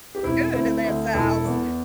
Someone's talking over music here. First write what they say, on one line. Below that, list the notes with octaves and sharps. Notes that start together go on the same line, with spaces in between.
good in this house."
G4
E1 C4 E4
D2 C4 E4
D2
E1 E4 A4
E2